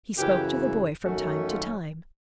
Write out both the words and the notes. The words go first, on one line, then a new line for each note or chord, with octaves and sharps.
He spoke to the boy from time to time.
F#2 C#3 E3 G4
F#2 D#3 F#3 A3 C#4 F#4
F4